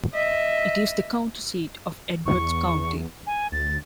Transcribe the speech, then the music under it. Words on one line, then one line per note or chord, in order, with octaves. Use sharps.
It is the county seat of Edwards County.
D#5 E5
E2 C#6
G#5
D2 A6